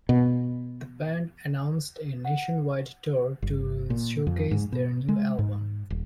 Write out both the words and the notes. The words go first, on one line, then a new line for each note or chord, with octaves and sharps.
The band announced a nationwide tour to showcase their new album.
B2
F#5
G1
A#2
F2
G#2
B2
G#3
G#2
D#1